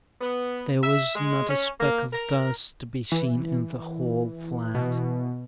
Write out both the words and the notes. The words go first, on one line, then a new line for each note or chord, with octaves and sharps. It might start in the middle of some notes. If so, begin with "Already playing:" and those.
There was not a speck of dust to be seen in the whole flat.
B3
E5
G#3
C#4
A#3
A#4
E3
B2